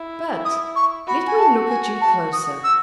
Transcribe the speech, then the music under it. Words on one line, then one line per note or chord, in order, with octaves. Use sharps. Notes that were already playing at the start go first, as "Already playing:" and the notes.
But let me look at you closer.
Already playing: E4
D#6
C#6
F#4 B5
G#5
A5
G#5
A5
D#6
E6